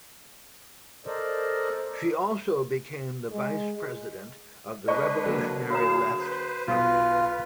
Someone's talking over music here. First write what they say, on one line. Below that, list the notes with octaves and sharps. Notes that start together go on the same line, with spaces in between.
She also became the vice-president of the Revolutionary Left Front.
A4 A#4 C5 D5 D#5
G#3
G#3 D4 B4 C5 D5 D#5 C#6
D3 F#3 A#3 C5
F#4 G#4 C#5 F5 A#5
B4 C5
B1 F4 B4